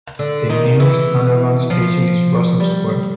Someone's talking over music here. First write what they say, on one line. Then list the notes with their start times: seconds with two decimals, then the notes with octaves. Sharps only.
The nearest Underground station is Russell Square.
0.19 D3
0.50 D#3
0.80 E3
1.70 F3
2.60 G3